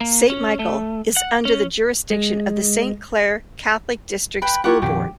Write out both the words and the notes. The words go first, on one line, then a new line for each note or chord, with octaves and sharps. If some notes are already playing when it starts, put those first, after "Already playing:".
Saint Michael is under the jurisdiction of the Saint Clair Catholic District School Board.
A#3
C#4
A3
F#5
C#4
G#3
B4 G5
E4 F4 G4 F#5 C#6
A#1 F2 D#3 G4 G5